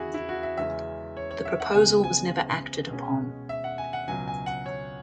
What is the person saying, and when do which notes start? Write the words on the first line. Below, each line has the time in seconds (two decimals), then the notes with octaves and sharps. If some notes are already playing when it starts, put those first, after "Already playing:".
The proposal was never acted upon.
Already playing: E2 C#3 E3 E4 F#4 G#4
0.14 E4
0.29 F#4
0.43 E5
0.57 E2 C#3 G#3 C#4 E5
1.17 C#5
1.31 C#5
1.45 E5
1.60 F#5
1.74 C#2 C#3 G#3 B3 G#5
2.04 G#5
2.91 B2 G#3 C#4
3.49 E5
3.64 F#5
3.78 G#5
3.93 F#5
4.08 C#2 B2 F#3 C#4 G#5
4.28 G#5
4.46 F#5
4.66 C#5